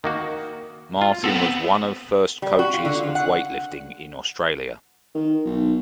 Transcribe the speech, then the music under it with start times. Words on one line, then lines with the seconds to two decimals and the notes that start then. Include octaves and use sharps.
Martyn was one of first coaches of weightlifting in Australia.
0.04 D#3 A#3 F#4
1.01 F4
1.24 B3 C4 A4
2.42 G3
2.59 F#4
2.73 F4
2.85 D3
3.03 F4
3.15 F#5
5.15 D#3
5.45 B1